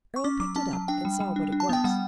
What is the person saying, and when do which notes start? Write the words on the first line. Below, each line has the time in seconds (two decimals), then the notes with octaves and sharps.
Earle picked it up, and saw what it was.
0.16 C#6
0.24 C#4 D6
0.40 F#3 D6
0.56 C#4 A5
0.73 F#3
0.88 D4 G5
1.05 G3
1.20 G3
1.36 D4
1.52 D4
1.60 A5
1.69 B3 G5
1.84 G3 F#5